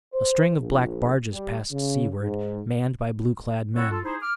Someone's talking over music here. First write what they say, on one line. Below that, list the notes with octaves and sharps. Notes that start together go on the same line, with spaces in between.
A string of black barges passed seaward, manned by blue-clad men.
C5
A#1
G3
C#3
G#2
C4 E4 F#4 A4 C#5
F4 A4
D#4 E4 G#4 C5
D6 F6